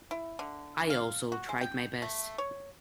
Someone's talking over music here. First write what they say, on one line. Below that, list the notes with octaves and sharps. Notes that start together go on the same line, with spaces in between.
I also tried my best.
E4
D3
F5
F#4
G#3
G5
A3
C#5